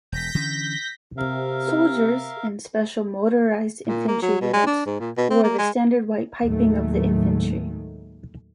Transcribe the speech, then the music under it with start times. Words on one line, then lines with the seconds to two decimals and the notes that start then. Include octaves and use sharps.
Soldiers in special Motorized Infantry units wore the standard white piping of the Infantry.
0.12 E1 G6 A#6 B6
0.35 D3 E3 C#4
1.17 C3 A#4 E5 F5
3.87 A#2
4.08 A#3
4.22 F#3
4.41 B2
4.53 G#3
4.67 D4
4.86 G#2
5.00 A#2
5.18 B2
5.30 C4
5.44 A#3
5.58 G#3
6.43 D#2 A2 D#3 F#3 G#3 A3